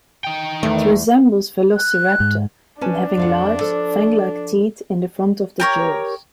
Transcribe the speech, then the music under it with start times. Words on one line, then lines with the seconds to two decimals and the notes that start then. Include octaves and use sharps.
It resembles "Velociraptor" in having large, fanglike teeth in the front of the jaws.
0.24 D#4 G5
0.63 E2 D#3 A3
1.77 F#6
2.20 G#2
2.81 C#4 D4 B4 A5
3.17 F2 F5 F#5
3.61 F3 A4
5.60 G4 A#4 C#5